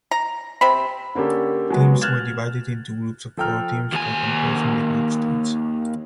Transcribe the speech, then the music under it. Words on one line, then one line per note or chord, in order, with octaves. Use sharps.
Teams were divided into groups of four teams for composing the group stage.
A#5
C3 C4 B5
D3 A#3 C#4 G4 A4
F#3 G#3 B3
F6 F#6 G#6 A6 E7
F3 A4 G5 A#5 F6
D#2 G#5